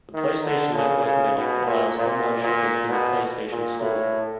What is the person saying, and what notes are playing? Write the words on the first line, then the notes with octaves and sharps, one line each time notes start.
The PlayStation Network menu allows online shopping through the PlayStation Store.
D#3
D3
C#3
C#3
B2
A#2
A#2
A#2
B2
A#2
A2